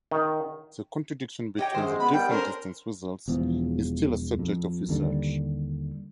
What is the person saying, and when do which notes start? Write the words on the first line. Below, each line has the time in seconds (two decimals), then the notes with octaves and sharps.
The contradiction between the different distance results is still a subject of research.
0.11 D#3
1.59 G4 C#5 D#5 G5
1.74 F#2 D#3 G#3 C5
2.00 B3 B5
2.13 D#3 G3 G5
2.29 C#4 D4 A4 A#4 C5
3.28 E1 E2 F3
4.39 F2
4.89 D#2 D3 D#3 G3